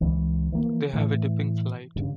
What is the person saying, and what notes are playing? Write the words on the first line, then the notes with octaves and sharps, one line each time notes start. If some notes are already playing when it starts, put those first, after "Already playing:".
They have a dipping flight.
C#2 E3
E3 F3 A#3
A2 E3
G2 C#3